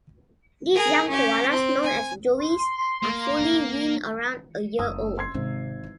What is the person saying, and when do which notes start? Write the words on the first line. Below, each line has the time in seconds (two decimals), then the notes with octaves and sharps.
These young koalas, known as joeys, are fully weaned around a year old.
0.74 G#4 A#4
1.08 C#4 G4
1.50 C4
1.83 G#5
2.39 C6
3.03 A#3
4.79 F#1 D#6 E6
5.18 C6 G#6 C7
5.34 G#1 C3
5.83 E3